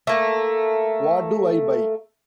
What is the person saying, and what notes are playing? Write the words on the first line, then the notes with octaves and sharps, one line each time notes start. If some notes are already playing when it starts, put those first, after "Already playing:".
What do I buy?
A3 A#3